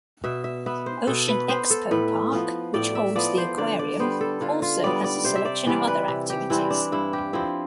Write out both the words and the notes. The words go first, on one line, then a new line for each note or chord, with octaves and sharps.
Ocean Expo Park which holds the aquarium also has a selection of other activities.
B2 E5
E5
B3 E5
C5
B2 A4
B4
B3 C5
A4
A2 B4
F3 B3
A2 D5
E5
F3 B3 D5
C5
D3 D5
D5
G3 B3 C5
A4
D3 F4
F4
G3 B3 D5
D5
C3 C5
E5
D5
E3 G3 C4 D5
B4
C3
G4
E3 G3 C4 E4
D4
G2 E4
G4
F3 C4 E4